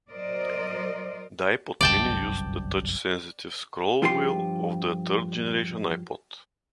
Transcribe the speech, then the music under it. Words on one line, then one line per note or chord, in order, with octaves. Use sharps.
The iPod Mini used the touch-sensitive scroll wheel of the third generation iPod.
F#3 A#4 C5 D5 D#5
G1 C2 F#2 D5 G5 A5
G2 F3 F4 G4 A4 C6